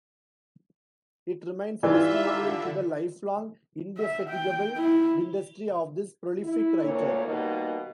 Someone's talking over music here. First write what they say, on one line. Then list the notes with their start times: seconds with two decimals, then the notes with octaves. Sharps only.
It remains a testimonial to the lifelong indefatigable industry of this prolific writer.
1.83 E3 G3 D#4 F4 D5 E5
2.24 D3 A#5 D6
3.98 E5
4.29 G5
4.76 E4
6.44 E4
6.83 D2 A#2 A#3 C#5
7.25 B2 D#3 G3 A#3